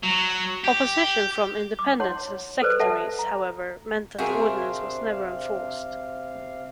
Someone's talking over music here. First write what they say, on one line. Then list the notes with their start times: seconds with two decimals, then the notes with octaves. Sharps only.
Opposition from Independents and sectaries, however, meant that the ordinance was never enforced.
0.03 F#3
0.64 G4
1.79 D6
2.00 D#4 C#5 F#5 C6
2.62 A4 B4 C5 D5
2.80 A4 D5 E5 F#5 A5
3.19 A#5
4.19 C3 C4 D4 F#4 G#4 A#4 E5 F5